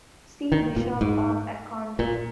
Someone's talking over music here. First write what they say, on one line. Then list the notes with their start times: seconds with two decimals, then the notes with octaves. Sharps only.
See Bishop of Achonry.
0.52 D#3
0.76 A#2
1.01 G#2
1.99 A#2